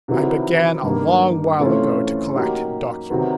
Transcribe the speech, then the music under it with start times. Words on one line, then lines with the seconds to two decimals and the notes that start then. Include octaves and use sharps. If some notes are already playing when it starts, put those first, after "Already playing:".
I began a long while ago to collect documents.
0.08 C3 D#3 F#3 B3 E4
0.83 G2 D#3 G3 A#3
1.59 C3 E3 A3 C#4 F4
2.35 F#3 A#3 D#4 G4
3.10 C3 D#3 F#3 B3